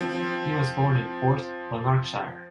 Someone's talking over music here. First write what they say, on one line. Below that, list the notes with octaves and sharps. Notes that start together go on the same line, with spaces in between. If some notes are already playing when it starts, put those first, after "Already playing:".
He was born in Forth, Lanarkshire.
F3 C4